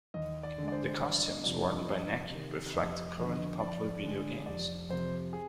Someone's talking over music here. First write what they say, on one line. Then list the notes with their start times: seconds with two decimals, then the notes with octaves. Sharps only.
The costumes worn by Necky reflect current popular video games.
0.14 D#2 D#5
0.43 D5
0.58 D3 G#3
0.68 D5
0.72 C5
1.01 G1 D5
1.23 D#5
1.44 F2 C3 F3 D5
1.66 D#5
1.87 F2 D#5
2.31 C3 D#3
2.74 F1 D#5
2.89 D#5
3.03 D#5
3.17 F2 D3 D#5
3.32 D#5
3.60 F2 D5
4.04 D3 G#3
4.46 F1 D5
4.89 F2 C3 C5
5.33 G#4